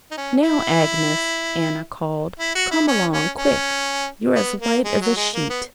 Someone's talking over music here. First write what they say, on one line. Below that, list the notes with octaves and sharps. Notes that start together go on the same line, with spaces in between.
'Now Agnes,' Anna called, 'come along, quick; you're as white as a sheet.
D#4
C#4
E4
E4
F#4
E4
C#4
C#4
C#4
B3
A#3
G#3
F#3
G#3
A#3
B3